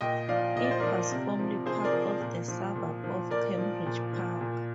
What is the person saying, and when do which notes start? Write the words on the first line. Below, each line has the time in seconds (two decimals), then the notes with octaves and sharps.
It was formerly part of the suburb of Cambridge Park.
0.01 A#2 D#5 G5
0.29 F3 D5 F5
0.56 A#2 D#5
0.64 D5
0.71 C5
0.80 F3 A#4 D5
1.12 C3
1.39 F3
1.66 C3 G#4 C5
1.84 A#4 D5
1.93 F3
2.21 A#2
2.48 F3
2.75 A#2
3.04 F3
3.31 A#2 A#4 D5
3.58 F3
3.86 A#2
4.13 F3
4.41 A#2